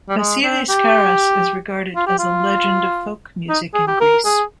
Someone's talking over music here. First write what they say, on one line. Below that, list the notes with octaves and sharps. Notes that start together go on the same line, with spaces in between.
Vasilis Karras is regarded as a legend of folk music in Greece.
G3
G#3
C4
G4
F4
G4
F4
D#4
G#4
G4
A#4
G#4